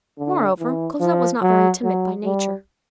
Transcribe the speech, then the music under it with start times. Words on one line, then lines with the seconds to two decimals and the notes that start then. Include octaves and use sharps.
Moreover, Cosette was not very timid by nature.
0.18 D3
0.59 E3
1.00 F3
1.42 F#3
1.83 F#3
2.24 G3